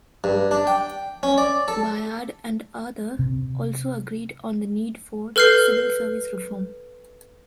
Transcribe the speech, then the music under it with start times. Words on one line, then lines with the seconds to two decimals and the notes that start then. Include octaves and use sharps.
Bayard and Arthur also agreed on the need for civil service reform.
0.24 G2
0.51 D4
0.67 G5
1.23 C#4
1.38 D5
1.68 A4
3.19 C3
5.36 A4 B4 F6 G6 C7